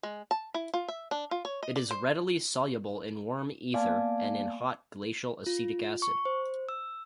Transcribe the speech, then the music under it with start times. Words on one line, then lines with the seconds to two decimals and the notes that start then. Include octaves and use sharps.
It is readily soluble in warm ether and in hot glacial acetic acid.
0.03 G#3
0.31 A5
0.54 E4
0.74 F4
0.88 E5
1.11 D4
1.31 F4
1.45 C#5
1.63 D#5
1.76 D5
1.91 C5
3.74 A#3 B3 D5 F5 G#5 A5
5.46 F4
6.02 C#6
6.25 C5
6.69 E6